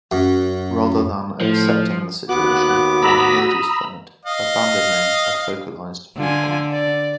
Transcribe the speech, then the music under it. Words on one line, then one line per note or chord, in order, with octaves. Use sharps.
Rather than accepting the situation, one emerges from it, abandoning a focalised viewpoint.
F#2
A2 F3
D#2 B3 F#4 D6 F#6
A#5 B5 D#6 E6
D#5 F5
D3 F4 G#5
D5